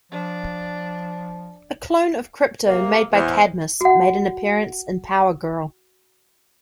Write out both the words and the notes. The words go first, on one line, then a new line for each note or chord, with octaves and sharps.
A clone of Krypto made by Cadmus made an appearance in "Power Girl".
F3 D4
C3 A#3
E2 C5
F#4 F#5